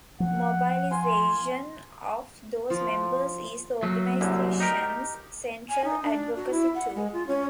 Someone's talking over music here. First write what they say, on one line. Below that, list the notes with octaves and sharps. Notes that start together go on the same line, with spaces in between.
Mobilization of those members is the organization's central advocacy tool.
F3 F#5
F4 G#5 C6
F3
F#3 A3 A#3
C2 F#2 D3
D#4 G4 A#4
G#5
D#4
D4
F#4
E4
F#5
G#3
F4
C#4